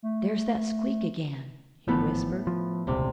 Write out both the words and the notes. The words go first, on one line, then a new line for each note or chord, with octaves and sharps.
"There's that squeak again!" he whispered.
A3
G#1 A2 E3 F3 A3 B3
F3
D#1 C#2 C3 D4